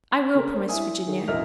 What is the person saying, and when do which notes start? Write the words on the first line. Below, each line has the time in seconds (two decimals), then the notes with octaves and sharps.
"I will," promised Virginia.
0.11 C6 B6
0.35 C#3 G#4 A#4
0.55 A#3 D4 C5
0.69 E4 E5 G#5 D#6
1.07 D#3 G#4 C#5
1.28 E1 A1 A#4 D#5 E5 F6